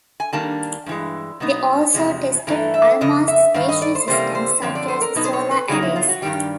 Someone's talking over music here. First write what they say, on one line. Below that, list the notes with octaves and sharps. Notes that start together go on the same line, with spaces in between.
They also tested Almaz station systems, such as the solar arrays.
G#5
D#3 G3 A#3 D4 A5
G2 E3 G#3
B2 F#3 B3 D#4
E2 C3 F3 G#3
G2 E3 A3 A#5
E5
F2 C#3 D#5
E5
G2 D#3 F5
D#5
D5
C5
C3 E3 G3 A#3 C#4 C5
C5
F#2 D3 F3 C4 C#5
D5
C5
A#4
B2 F#3 B3 D#4 B4
C5
C#5
B4
C#3 F#3 A#3 D#4 G#4
E4
F4
F#4
G2 D#3 G3 G4